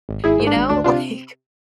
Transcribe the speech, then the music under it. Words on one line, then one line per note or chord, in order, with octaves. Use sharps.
You know, like
G#1
G#1 E4 G#4
G#2
D4
G#1
D2 D4
C3 D4 F4